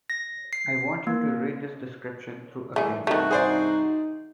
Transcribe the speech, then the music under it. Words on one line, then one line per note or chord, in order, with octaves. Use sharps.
I want you to read this description through again.
A#6
C7
A#3
G2 D3 E3 A3 G#4
G2 C3 D#3 A3 D#4 F#4
G#4 C5 D5